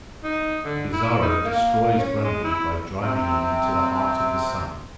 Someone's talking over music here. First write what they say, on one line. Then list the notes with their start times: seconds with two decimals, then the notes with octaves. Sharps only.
Bizarro destroys Grundy by driving him into the heart of the Sun.
0.23 D#4
0.64 D3
0.93 E4
1.22 D#4
1.45 A#3
1.99 C#4
2.24 G#3
2.44 E4
3.01 C3 C4